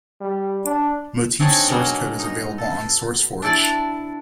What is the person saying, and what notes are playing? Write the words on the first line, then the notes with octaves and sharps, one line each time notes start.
Motif's source code is available on SourceForge.
G3
D4
C4 D4 D#4 G#4 C#5
B2 F#3 G#3 A#3
D#4
A4
D4 E4 A4 D5